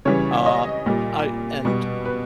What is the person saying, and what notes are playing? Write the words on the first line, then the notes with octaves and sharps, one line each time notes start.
Um, I and
C#3 E3 G3 C#5
D#5
A#2 G3
B2 G3
B4